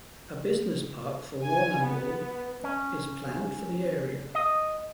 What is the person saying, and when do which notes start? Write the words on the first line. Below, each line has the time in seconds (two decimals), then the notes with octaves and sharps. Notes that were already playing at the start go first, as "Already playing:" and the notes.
A business park for Warrnambool is planned for the area.
1.45 G#5
1.86 B3
2.64 C#4
4.35 D#5